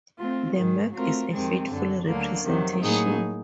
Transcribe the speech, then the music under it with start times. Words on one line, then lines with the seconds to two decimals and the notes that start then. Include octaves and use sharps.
The map is a faithful representation.
0.19 A3 C4 F4
0.57 G#2 D#3 G#3
0.94 F#3 A3 C4 F4 A#4
1.32 F2 C3 D#3 G#3 C4
1.69 F#2 D3 F#3
2.06 D2 D3 F#3 A#3
2.44 F2 C3 D#3 F#3
2.81 A2 F#3 A#3 D#4 G#4